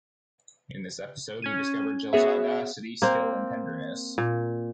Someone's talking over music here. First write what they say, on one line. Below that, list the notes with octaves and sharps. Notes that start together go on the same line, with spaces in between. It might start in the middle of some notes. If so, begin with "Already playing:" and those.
In this episode, we discover Jill’s audacity, skill and tenderness.
C#4 G#6 D#7
B3 F#4 G#4 C#5 E5
A#3 C4
A#2